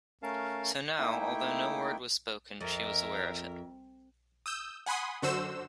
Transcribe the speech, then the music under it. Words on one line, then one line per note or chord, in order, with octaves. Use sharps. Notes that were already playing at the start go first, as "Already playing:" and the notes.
So now, although no word was spoken, she was aware of it.
A3 C#4 A#4 F5 A5
A3 A#3 D#4 E4 E5 G5
F2 A#4 E5
D#6 E6 G6
F#5 G#5 B5 C6 D#6
F#2 D3 F#4 C5 E6 E7